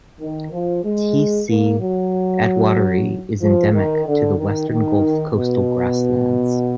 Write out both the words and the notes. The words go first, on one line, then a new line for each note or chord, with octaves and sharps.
"T. c. attwateri" is endemic to the Western Gulf coastal grasslands.
D#3
F3
G#3
A#3
F#3
F3
D#3
D3
D#3
D#3
B2